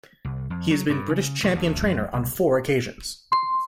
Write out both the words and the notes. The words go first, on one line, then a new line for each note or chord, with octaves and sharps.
He has been British Champion Trainer on four occasions.
C2
F2
F#3
G2
C#3
E1
D2
F#2
C2
C6